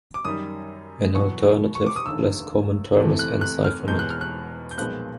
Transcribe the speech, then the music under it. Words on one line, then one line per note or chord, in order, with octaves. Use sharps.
An alternative, less common term is "encipherment".
D6
F#2 D#3 G3 D#6
E2 B2 F#3 B3 C#6
C#6
D6
D#6
F1 D#2 D3 E6
E2 C3 E3 A3
F#6
F#6
F6
E1 E2 B2 G#3 G6
F#6
F6
F#6
G6
B1 A#2 F3 G#3 B3 F#6